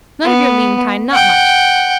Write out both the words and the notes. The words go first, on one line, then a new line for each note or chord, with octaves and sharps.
None of your lean kine, not much.
B3
F#5 G5